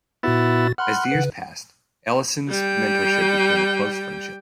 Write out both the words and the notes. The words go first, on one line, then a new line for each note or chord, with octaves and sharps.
As the years passed, Ellison's mentorship became a close friendship.
A#2 B3 E4 F#4 A6
F#5 B5 C6 F6
C#3 B4
G3 G5